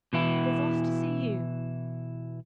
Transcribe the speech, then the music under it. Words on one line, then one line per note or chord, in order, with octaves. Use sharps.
He has asked to see you.
B2 E3 E4